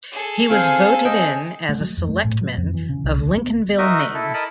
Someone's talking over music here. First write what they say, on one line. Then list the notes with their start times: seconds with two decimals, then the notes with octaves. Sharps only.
He was voted in as a selectmen of Lincolnville, Maine.
0.12 G#4 A4
0.50 C4 C5 F5 G#5
1.05 D#5 G5
1.69 A3
1.81 F#3
1.97 F2
2.09 A3
2.25 A2
2.41 F#3
2.57 F2
2.74 E3
2.89 C#3
3.04 C2
3.18 D2
3.38 B3
3.78 D#4 F#4 A#4 D#5 E5
4.15 E4 A4
4.34 A#4 D#5 A5 B5